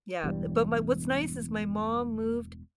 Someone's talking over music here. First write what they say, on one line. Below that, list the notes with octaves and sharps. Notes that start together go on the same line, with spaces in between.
Yeah, but my what's nice is my mom moved
E1 E2 G2 G3